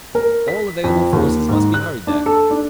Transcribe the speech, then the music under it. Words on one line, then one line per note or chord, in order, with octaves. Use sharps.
All available forces must be hurried there....
A#4
B6
F2
D#2
G#2
F#6
D4
A4
D4